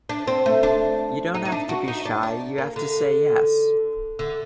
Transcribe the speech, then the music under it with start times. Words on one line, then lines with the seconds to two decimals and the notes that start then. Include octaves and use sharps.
You don't have to be shy, you have to say yes.
0.09 D4
0.27 C4
0.46 A3
0.63 D4
1.34 D#4
1.45 D#4
1.52 D4
1.69 F#4
1.88 D#4
2.05 D4
2.23 D4
2.58 A#3
2.76 D3
4.19 D3